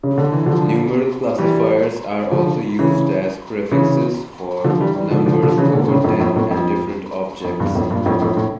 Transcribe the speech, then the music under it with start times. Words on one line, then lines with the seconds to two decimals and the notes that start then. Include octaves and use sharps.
Numeral classifiers are also used as prefixes for numbers over ten and different objects.
0.03 C#3
0.18 D3
0.32 E3
0.46 D3 F3
1.38 E3 G3
2.31 D3 F3
2.79 C#3 E3
3.72 C#3 E3
4.64 D3 F3
4.80 E3 G3
4.95 E3 G3
5.11 D3 F3
5.26 D3 F3
5.43 D3 F3
5.58 C#3 E3
5.73 A#2 D3
5.89 A2 C#3
6.04 F2 A2
6.20 F2 A2
6.36 F2 A2
6.51 F2
7.44 F2
7.60 E2 G2
7.75 F2 A2
7.90 G2 A#2
8.06 F2 A2
8.22 F2 A2
8.37 A2